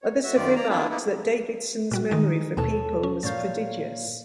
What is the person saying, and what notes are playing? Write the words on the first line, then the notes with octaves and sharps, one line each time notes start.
Others have remarked that Davidson's memory for people was prodigious.
C#5
F#4 E5
F#2 D#3 F4 G4 D5
A#3 D5 A#5
A#3 B3 D4 E4 F4
A#3 B3 D#4 E4
A#2 G3 F#4
D#3 G#3 D#4
D#2 B2 A4 C#5 A5
C#4
A#2 C#5 F5 G6 A6